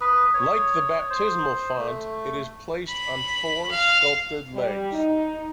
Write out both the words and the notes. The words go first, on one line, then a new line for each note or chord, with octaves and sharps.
Like the baptismal font, it is placed on four sculpted legs.
B4 D#6
C#5
C5
A3
B5
F5
G3
D#4